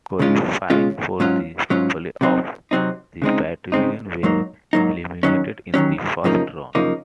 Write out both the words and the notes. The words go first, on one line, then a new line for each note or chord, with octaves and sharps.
Qualifying for the playoffs, the Battalion were eliminated in the first round.
C#2 C#3 G#3 C#4 F4
C#2 C#3 G#3 C#4 F4
G#2 F#3 C#4 F4
G#2 F#3 C#4 F4
C3 F#3 C4 D#4
C3 F#3 C4 D#4
C#3 G#3 C4 D#4
C#3 G#3 C4 D#4
G#2 F#3 A#3 D#4
G#2 F#3 A#3 D#4
D#2 D#3 F#3 C#4
D#2 D#3 F#3 C#4
F#2 C#3 F3 A#3 D#4
F#2 C#3 F3 A#3 D#4